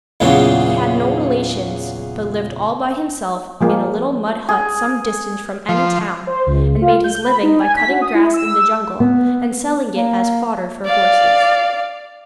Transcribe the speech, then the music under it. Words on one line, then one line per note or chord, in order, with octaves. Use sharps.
He had no relations, but lived all by himself in a little mud hut some distance from any town, and made his living by cutting grass in the jungle, and selling it as fodder for horses.
E2 A#2 C#3 F#3
F3 G#3 A#3
G#4
F3
C5
C#2
F4
G6
B5
D#4
G#5
B6
F#4
D#6
E4
E6
B3
A#3
D5 F5